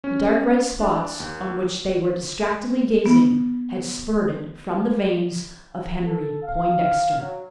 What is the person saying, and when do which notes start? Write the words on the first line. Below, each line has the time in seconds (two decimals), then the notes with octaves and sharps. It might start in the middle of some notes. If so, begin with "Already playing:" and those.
The dark red spots on which they were distractedly gazing had spurted from the veins of Henry Poindexter.
0.04 C#4
0.80 D4
1.20 D#2
3.06 B3 B5
6.04 A4
6.43 F5
7.18 F#3